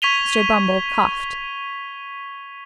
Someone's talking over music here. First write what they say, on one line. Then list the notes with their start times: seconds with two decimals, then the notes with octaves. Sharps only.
Mr. Bumble coughed.
0.02 C#6 G#6 B6 D#7 F7 G7